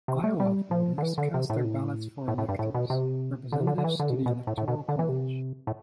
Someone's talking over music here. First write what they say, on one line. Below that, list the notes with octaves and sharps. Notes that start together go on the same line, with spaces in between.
Iowa voters cast their ballots for electors: representatives to the Electoral College.
C3
A3
G3
F3
D3
E3
D3
C3
A2
B2
A2
A2
A2
G2
A2
B2
C3
D3
C3
D3
D3
E3
D3
B2
C3
B2
A2
A2
B2
D3
E3
C3
A2